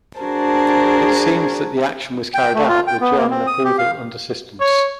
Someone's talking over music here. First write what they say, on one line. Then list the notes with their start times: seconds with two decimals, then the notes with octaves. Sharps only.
It seems that the action was carried out with German approval and assistance.
0.20 D4 F#4 G#4 A#4 C5 A5
2.34 G5
2.55 A3
2.69 F4
2.87 G5
3.01 B3
3.18 A#3
3.30 C4
3.47 D#6
3.64 G4
3.78 F5
4.60 C#5